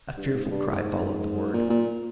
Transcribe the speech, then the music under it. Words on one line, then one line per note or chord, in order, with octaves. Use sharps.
A fearful cry followed the word.
G2
G#2
G2
G#2
A#2
A#2